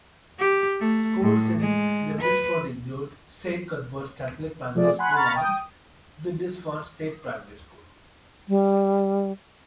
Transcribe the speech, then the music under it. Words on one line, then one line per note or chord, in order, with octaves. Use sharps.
Schools in Lindisfarne include Saint Cuthbert's Catholic Primary School and Lindisfarne State Primary School.
G4
A3
A2
G#3
B4
F3 A3 F4 G#4 D5
F#5 G#5 B5 C6 F#6
A#5 B5 C#6 F6 A6
G5 D#6
G3